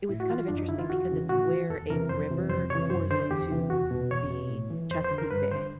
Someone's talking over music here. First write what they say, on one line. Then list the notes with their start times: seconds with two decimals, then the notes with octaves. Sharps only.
it was kind of interesting because it's where a river pours into the Chesapeake Bay,
0.09 A2 E4
0.20 F#4
0.30 E3 F4
0.48 F#2 D4
0.58 D#4
0.69 D3 E4
0.79 F4
0.90 E2 F#4
1.10 C#3 E3
1.29 A2 F#4
1.50 E3
1.70 E2 A4
1.90 C3 E3 A#4
2.09 F2 C5
2.30 C3 E3
2.50 F2 C5
2.70 C3 E3 C#5
2.90 F#2 C5
3.11 D3 C5
3.31 E2 G4
3.51 C3 E3
3.70 E2 F#4
3.91 B2
4.11 E2 C#5
4.30 B2
4.50 A2
4.70 E3
4.91 F2 C5
5.04 C5
5.11 D3
5.18 A#4
5.31 G2 B4
5.51 D3 C5